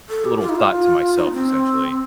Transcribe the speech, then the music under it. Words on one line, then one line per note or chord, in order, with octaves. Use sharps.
a little thought to myself, essentially.
A4
G4
F4
D#4
F4
D#4
A#3
C4